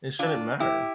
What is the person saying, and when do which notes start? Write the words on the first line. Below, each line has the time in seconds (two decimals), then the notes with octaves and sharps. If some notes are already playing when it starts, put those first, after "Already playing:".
it shouldn't matter.
0.19 D4 F4
0.60 E4 G4